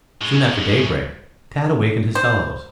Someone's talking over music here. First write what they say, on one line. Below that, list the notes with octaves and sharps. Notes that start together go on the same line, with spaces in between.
Soon after daybreak, Tad awakened his fellows.
A2 G#3
C5